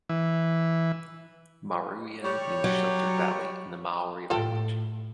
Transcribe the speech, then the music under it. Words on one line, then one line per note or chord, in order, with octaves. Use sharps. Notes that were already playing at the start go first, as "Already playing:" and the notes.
"Maruia" means "sheltered valley" in the Maori language.
E3
G3 C#5
F#3
A2 F4 A4 G5